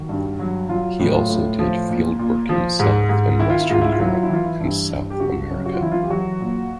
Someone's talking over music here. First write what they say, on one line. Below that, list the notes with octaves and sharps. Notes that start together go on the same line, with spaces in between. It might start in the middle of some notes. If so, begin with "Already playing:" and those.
He also did field work himself in western Europe and South America.
Already playing: D#3 F#4
G2
F#3
F#3 F4
A2
F4
A2
F3
A#2
A#2
F3
G#2
G#2
D#3 E4
F4
E4
G#2 F4
E4
F4
F#3 E4
F4
E4
E3 F4
E4
G2
G2
G4
C#3 F#4
F#2
F#4
F4
E3 E4
F4
G4
F#3 F#4
A#2